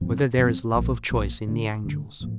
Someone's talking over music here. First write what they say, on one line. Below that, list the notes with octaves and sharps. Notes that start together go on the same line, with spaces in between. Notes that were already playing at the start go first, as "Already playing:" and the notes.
Whether There Is Love of Choice in the Angels?
G2 F3 C4
G2 F3 C4
A#1 A#2 F3 A#3
A#1 A#2 F3 A#3
G2 D3 A3 D4
G2 D3 A3 D4
A2 F3 A#3